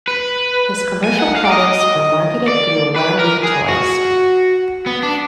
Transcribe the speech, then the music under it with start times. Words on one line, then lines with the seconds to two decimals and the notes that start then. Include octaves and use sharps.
His commercial products are marketed through WowWee Toys.
0.08 B4
1.04 G#5
1.19 F#5
1.36 F5
1.45 D5
1.52 D#5
2.48 D5
2.96 B4
3.19 A#4
3.43 G#4
3.68 F#4
4.87 B3
5.03 D4